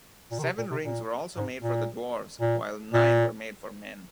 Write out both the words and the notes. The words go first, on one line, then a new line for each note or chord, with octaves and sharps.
Seven Rings were also made for the Dwarves, while Nine were made for Men.
A#2
D#3
C3
A#2
C3
A#2
G#2
A#2
A#2
A#2